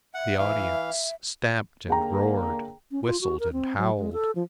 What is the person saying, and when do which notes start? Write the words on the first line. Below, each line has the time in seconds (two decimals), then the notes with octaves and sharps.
The audience stamped and roared, whistled and howled.
0.14 E5 F#5
0.39 E3 F5
1.88 D3 A#3 G#4 G5 A#5
2.91 C#4
3.04 F4
3.21 F#4
3.40 A#4
3.53 C4
3.77 F#3
3.98 G#3
4.13 A4
4.35 F3